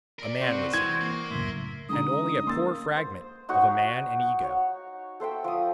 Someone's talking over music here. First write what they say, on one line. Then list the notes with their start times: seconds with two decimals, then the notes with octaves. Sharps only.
A man was he, and only a poor fragment of a man and ego.
0.19 A#4 D5
0.41 C3 C4 F#4 C5
0.74 E3 G#3 G#6
1.01 A#3
1.31 C#2 F#2 A2 E5 C6
1.89 D3 G#3 C#4 D#4 A#5 D#6
2.47 A#3 C6 E6 A6
2.97 C5
3.49 D#4 F#4 C#5 F#5
4.42 F#4 C#5
5.20 A4 C5 E5 G5
5.44 F3 D#6